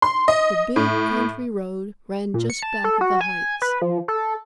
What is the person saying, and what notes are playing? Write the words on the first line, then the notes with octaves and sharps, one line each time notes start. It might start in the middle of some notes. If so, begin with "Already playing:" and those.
The big country road ran just back of the heights.
C6
D#5
A2
A#2
C#7
A5
A4
F#4
G#5
B4
F3
A4